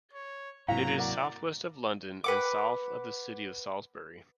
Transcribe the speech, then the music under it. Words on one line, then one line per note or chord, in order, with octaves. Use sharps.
It is southwest of London, and south of the city of Salisbury.
C#5
G#2 C3 F#3 A#3 E4 F5 G5 A#5
A#4 D5 F#5 A#5
B4 F#5 D6